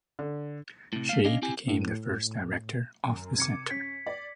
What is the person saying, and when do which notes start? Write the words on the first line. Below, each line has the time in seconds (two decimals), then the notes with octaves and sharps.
She became the first director of the centre.
0.19 D3
0.93 A2 C3
1.09 A3 F5
1.24 C#4 D4 D#5 F5
1.42 C4 E4 G4 G#5
1.68 A2
3.09 F#2
3.38 C3 D6 G#6 C#7
3.71 C#4 B6
4.06 D5